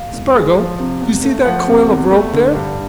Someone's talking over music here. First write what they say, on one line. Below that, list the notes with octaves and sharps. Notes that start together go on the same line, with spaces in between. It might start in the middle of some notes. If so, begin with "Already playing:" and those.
Spargo, you see that coil of rope there.
Already playing: F5
E1
G#3
F3
C3
E2
A3
F3 F#5
C3
E2
A3
D3
G2